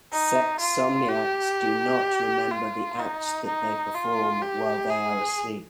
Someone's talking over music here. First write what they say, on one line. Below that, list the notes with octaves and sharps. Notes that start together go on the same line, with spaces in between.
Sexsomniacs do not remember the acts that they perform while they are asleep.
D#4
F4
G4
F4
D#4
D#4
F4
G4
G#4